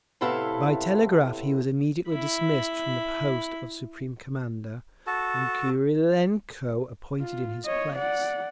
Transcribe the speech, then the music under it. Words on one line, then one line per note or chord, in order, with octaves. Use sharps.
By telegraph he was immediately dismissed from the post of Supreme Commander, and Krylenko appointed in his place.
A2 C3 B3 E4 A4 F5
E4 B5
F#4 A4 A5
F4
C#5 D#5
D5 F#5